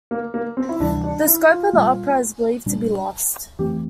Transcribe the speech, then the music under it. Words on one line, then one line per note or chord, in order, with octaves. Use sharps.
The score of the opera is believed to be lost.
A#3
A#3
C4
E4
D2 C3 E3 G3 D4
D4
E4
F4
A#2 G3 A#3
A#2 G3 D4
F2 E3 A3 C4 G4